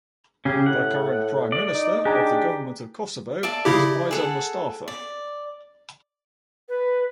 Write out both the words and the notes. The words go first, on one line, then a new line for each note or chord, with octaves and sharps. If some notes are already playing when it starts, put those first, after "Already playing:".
The current Prime Minister of the Government of Kosovo is Isa Mustafa.
C#3 C#4 G4
A2 F#5
D5
D#4
D4 G4 G#4 G#5 A#5
D5 E5 A5
C#3 E4 G4
G#4 A4 F#5
D5
B4